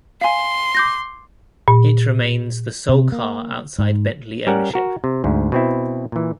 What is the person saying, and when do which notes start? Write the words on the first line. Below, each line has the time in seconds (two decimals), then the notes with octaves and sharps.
It remains the sole car outside Bentley ownership.
0.21 F5 G#5 C6
0.75 D6 G6 A#6
1.68 A#2
2.89 C3
3.12 A#3
3.79 G#2
4.47 G3 C#4 A#4 F#5
4.74 F#4 A#4
5.04 C3
5.24 D2 G#2
5.52 B2 C4 E4
6.12 A#2 E3